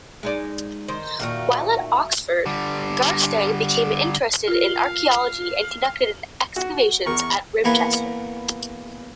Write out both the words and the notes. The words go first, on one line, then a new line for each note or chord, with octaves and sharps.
While at Oxford, Garstang became interested in archaeology and conducted excavations at Ribchester.
G#3 D#4 D5
D#3 C5
A#2 D#3 A3 F#4 F5
D3 G3
F4 A#4 F5
F#4
E2 A#4 C#6
E2 A#3 B4 G#5 C#6